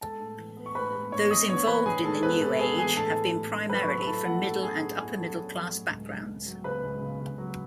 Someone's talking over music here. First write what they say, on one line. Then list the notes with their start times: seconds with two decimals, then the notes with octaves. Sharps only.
Those involved in the New Age have been primarily from middle and upper-middle-class backgrounds.
0.01 G#3 A4 A5
0.20 A2
0.38 E3
0.57 B3
0.66 C#6
0.75 A2 B4 B5
0.94 G#3
1.12 A2 C#5 C#6
1.23 C#6
1.31 A2 D#5 D#6
1.49 B3 C#5 C#6
1.67 E3 B4 B5
1.86 E3 G#4 G#5
2.04 G#3 A4 A5
2.22 B3 B4 B5
2.41 G#3 A4 A5
2.59 B3 G#4 G#5
2.78 E3 G#4 G#5
2.97 A2 A4 A5
3.14 E4
3.33 A2
3.52 A2
3.69 F#3 B4 B5
3.82 C#6
3.88 E4 B4 B5
4.02 B5
4.07 E4 A4 A5
4.25 A2 F#5
4.43 E4 A4 A5
4.62 A2 G#4 G#5
4.81 C#4
4.99 E4 G#4 G#5
5.17 F#3 A4 A5
5.36 C#4
5.54 F#3
5.73 A2
5.91 C#2
6.10 C#2
6.28 C#2
6.46 F#3
6.64 C#3 B4 B5
6.83 C#2
7.02 C#3
7.20 C#3
7.38 F#3